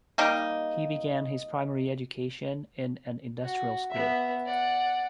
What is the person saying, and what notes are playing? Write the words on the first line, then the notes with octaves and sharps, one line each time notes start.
He began his primary education in an industrial school.
G3 A#3 D#4
F#4
B3 E5
D5 F#5